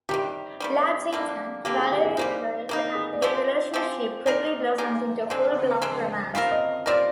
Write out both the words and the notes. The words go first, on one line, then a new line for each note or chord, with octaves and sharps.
Labs intern, Valerie Perez, and their relationship quickly blossomed into a full-blown romance.
C3 D#3 G3 G4
C3 D#3 G3
D3 G3 A#3
D3 G3 A#3 G4
G#4
G4
G#4
G3 A#3 D#4 C5
G3 A#3 D#4 A#4
G#4
D5
F3 G#3 C4 G4 C5
F3 G#3 C4 G4
G#3 D#4 G4 A#4 D5
G#3 D#4 G4 A#4
D3 G#3 C4 C5
D3 G#3 C4
G3 C4 F4 A#4 F5
D#5
G3 C4 F4 A#4 D5